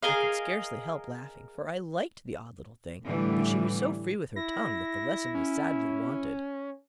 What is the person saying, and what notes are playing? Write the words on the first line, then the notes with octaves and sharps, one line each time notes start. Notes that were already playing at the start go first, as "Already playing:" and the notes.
I could scarcely help laughing, for I liked the odd little thing; but she was so free with her tongue, that the lesson was sadly wanted.
G#4 A#4 D#5 F5
A2 D3 E3 G3
E4 A#6
C#4